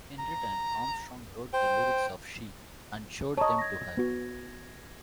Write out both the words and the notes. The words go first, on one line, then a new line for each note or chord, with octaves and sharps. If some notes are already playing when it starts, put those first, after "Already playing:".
In return, Armstrong wrote the lyrics of "She" and showed them to her.
A#5
C5 G5
C#5 D#5 A5 A#5 C#6
G#6 A#6
B3 F#4